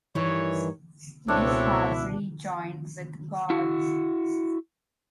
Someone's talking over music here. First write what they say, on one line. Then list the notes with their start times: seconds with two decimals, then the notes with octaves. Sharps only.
They have rejoined with God.
0.15 G2 D#3 E3 C#5
1.28 C#2 B2 C4 D4 E4 A4 C#5
3.50 E4 F#4